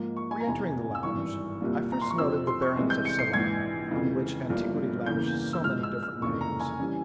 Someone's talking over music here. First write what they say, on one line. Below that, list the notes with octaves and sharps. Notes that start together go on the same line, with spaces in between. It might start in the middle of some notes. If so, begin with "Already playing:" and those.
Reentering the lounge, I first noted the bearings of Ceylon, on which antiquity lavished so many different names.
Already playing: G#2 F3 A#3
C#6
G#5
A#5
F1 E2 C3 G#5
E6
G#1 G2 E3 C#6
C2 A#2 G3 A#3
A#5
C6
C#6
F2 C3 F3 C4 E6
C6
C#6
C2 C3 E3 G#3
G6
C#7
C7
A#1 G#2 E3 G#6
F2 C#3 E3
G1 G2 F3 A#3 E4
E2 C#3 E3 A#3 G6
E6
G#2 F3 G#3 E4 F6
E6
F6
F1 F2 C#3 E3 A#3 C#6
A#5
G#5
E3 G3 C#4